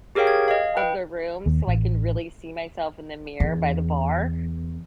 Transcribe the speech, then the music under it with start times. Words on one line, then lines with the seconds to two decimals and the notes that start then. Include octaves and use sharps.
of the room so I can really see myself in the mirror by the bar.
0.15 G4 G#4 A#4 C#5 F5 G5
0.27 G#6
0.48 D#5 F5
0.77 B4 G5
1.46 D#2
1.67 A1
3.40 E2